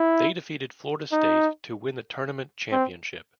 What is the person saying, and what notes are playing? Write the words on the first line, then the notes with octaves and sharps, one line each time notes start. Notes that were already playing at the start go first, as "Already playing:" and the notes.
They defeated Florida State to win the tournament championship.
Already playing: E4
D#4
C4